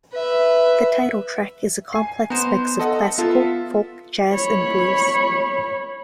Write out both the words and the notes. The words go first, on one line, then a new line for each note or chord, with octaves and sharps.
The title track is a complex mix of classical, folk, jazz and blues.
B4 E5
G#5 C7
B3 D#4 C5
A4 D#5 F#5
B3 F4 A4 E5
C#5 B5